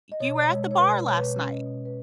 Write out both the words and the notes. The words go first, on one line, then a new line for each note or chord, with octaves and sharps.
"You were at the bar last night.
D#5
B2 C#5
G#3 C#5
C#5
B2 B4
B2 C#5
B4
C#5
C#4
D#5
B2
B4